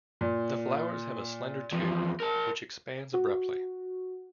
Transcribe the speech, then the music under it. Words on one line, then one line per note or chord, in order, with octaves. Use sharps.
The flowers have a slender tube which expands abruptly.
A#2
E2 F3
A#4 A5
F#4